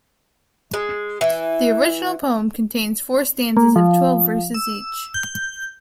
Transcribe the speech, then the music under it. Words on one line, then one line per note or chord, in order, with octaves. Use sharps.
The original poem contains four stanzas of twelve verses each.
G#3
E3
A#3
F3
E6
G6